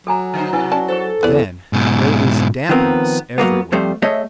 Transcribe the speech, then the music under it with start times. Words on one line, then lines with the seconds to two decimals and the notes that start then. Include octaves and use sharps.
Then there is dampness everywhere.
0.07 F#3 A4 G#5 A#5
0.34 D3 D#4 C5
0.53 C3 E4 B4 G#5
0.72 C#4 D5 A5
0.88 G#4 A4 C5
1.23 E2 B4 D5
1.73 G#2 B2
2.69 D#3 F3 B3 C4 A#4
3.38 F#3 G3 A#3 B3
3.72 F2 G3 A3 C5
4.02 A3 G#4 C#5 D#5 E5